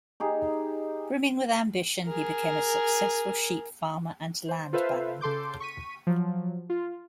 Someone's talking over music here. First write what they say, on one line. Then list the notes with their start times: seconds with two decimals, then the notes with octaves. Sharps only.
Brimming with ambition, he became a successful sheep farmer and land baron.
0.20 D#4 G4 G#4
2.05 G#4 A#4
4.49 C5
4.73 F4 A4 B4 C5 E5 F5
5.21 C#3 A4 C6 D6 G6
5.60 C#6 B6 D#7
6.07 F3 F#3
6.70 F4